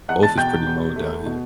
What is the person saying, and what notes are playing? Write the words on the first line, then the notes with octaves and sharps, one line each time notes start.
both is pretty known down here.
E2 F#5 F#6
A5 A6
B2 G5 G6
E2
A3
B2